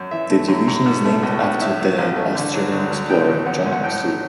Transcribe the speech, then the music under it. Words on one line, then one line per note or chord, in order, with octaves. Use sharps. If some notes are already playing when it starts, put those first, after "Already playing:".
The division is named after the Australian explorer, John Oxley.
Already playing: F#2
E3 E5
A3
F#2
F#2
B2
A3
C#2
C#2
A2 E5
F#3
A1
A3
D3
F#3
D2
D2
A2 G5
E3
B1 F#5
B1
F#5
A2 G5
F#3